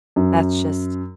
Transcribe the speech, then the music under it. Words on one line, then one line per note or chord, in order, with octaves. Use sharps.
that's just
F#2